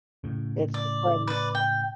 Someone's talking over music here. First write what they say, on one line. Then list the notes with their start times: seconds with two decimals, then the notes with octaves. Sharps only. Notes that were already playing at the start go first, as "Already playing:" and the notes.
It's the friends.
0.24 A2 C#3
0.74 D5
1.27 B4 D5
1.55 G5